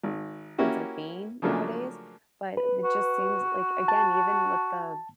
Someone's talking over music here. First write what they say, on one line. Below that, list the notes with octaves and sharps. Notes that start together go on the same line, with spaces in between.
ends up being nowadays, but it it just seems like again, even with the
G#1
A#3 C#4 E4 F#4 G4
C#3 F3 F#3 A3 A#3 D4
B4
F#4
A5